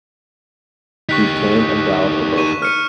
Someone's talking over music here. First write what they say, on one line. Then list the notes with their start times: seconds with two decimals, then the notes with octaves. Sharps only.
He came and bowed above her.
1.09 D#4 G4 C#6 F#6 B6
2.36 C#6 D#7 E7
2.62 F6 C#7 D#7